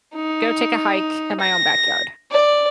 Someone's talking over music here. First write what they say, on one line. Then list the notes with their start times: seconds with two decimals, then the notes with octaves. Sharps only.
Go take a hike in my own backyard.
0.15 D#4
1.41 A#6
2.32 D5